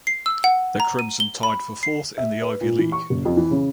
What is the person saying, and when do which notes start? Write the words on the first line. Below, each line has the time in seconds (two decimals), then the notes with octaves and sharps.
The Crimson tied for fourth in the Ivy League.
0.07 C7
0.26 E6
0.44 F#5
0.80 A#5
0.99 D#7
1.20 G7
1.43 B5
1.83 C7
2.18 E5
2.42 B4
2.61 A#2
2.79 E3
2.92 C#6
3.10 F#1
3.25 F2
3.37 E3
3.51 C#3